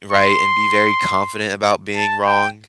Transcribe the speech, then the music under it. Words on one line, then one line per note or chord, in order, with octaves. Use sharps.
right? And be very confident about being wrong.
C6
A5
G5